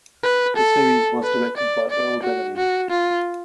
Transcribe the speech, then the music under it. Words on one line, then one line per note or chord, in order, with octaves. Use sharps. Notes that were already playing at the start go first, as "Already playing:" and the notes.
The series was directed by Earl Bellamy.
B4
A4
B4
D5
D5
F#4
F#4
F4